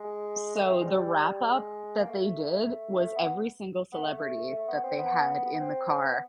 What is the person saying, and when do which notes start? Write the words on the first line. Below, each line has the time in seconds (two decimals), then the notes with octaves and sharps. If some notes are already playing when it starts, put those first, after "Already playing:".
So, the wrap-up that they did, was every single celebrity that they had in the car
Already playing: G#3
0.55 A3
0.70 C4
0.81 G#3
0.86 G3
1.47 G#3
1.98 A#3
2.08 A3
3.00 A3
3.16 B3
3.92 B3
4.02 A3
4.13 A3
4.53 A3
4.68 B3
4.83 C4
4.99 B3
5.45 B3
5.60 C4
6.06 B3